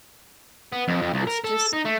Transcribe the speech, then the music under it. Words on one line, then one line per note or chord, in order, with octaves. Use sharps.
It's just
B3
F2
F2
C2
A#4
A4
D#4
A3